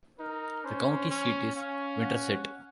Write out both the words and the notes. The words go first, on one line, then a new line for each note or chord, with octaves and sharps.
The county seat is Winterset.
D#4 A#4
C#4 C5
C#4
C#4 F5
F#5